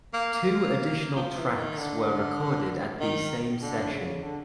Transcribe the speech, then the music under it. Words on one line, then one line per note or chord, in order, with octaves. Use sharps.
Two additional tracks were recorded at the same session.
A#3
A#3
F3
E3
D#3
D3
D#3
D3
C#3
D3